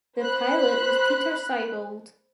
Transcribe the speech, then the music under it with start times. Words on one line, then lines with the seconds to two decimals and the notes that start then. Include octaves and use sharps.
The pilot was Peter Siebold.
0.18 C5 B5 F#6